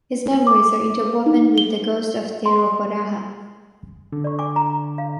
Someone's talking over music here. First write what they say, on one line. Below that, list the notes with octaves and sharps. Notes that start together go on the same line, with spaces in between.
His memories are interwoven with the ghost of Te Rauparaha.
D6
D#4
G7
C6
D3
D5 C#6
G#5 D6
A#5
F5